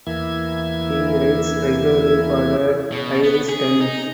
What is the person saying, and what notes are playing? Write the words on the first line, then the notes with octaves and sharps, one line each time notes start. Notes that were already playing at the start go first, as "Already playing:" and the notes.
He writes regularly for The Irish Times.
E2 E3 A#3 E4 E5 G#6
B2
B3
G#4
D#4